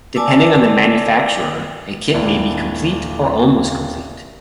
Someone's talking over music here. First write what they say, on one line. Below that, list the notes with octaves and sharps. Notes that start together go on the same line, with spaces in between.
Depending on the manufacturer a kit may be complete or almost complete.
D5 G#5 A5 D6 E6
D#1 D#2 D4 E4